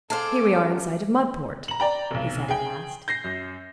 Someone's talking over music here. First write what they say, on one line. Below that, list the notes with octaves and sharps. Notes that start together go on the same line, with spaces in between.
"Here we are in sight of Mudport," he said at last.
G#4 A4 C5 F5 A5 D6
F#2
A#5 F#7
D5 G5 A#5
F1 B1
G#4 G5
G6 A#6 C7
F#2